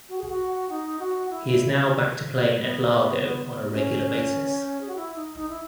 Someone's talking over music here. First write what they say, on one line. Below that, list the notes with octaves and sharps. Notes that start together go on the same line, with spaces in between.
He is now back to playing at Largo on a regular basis.
F#4
G#4
F#4
D#4
F#4
E4
B3
C#4
G#4
F#4
E4
D#4
D#4
E4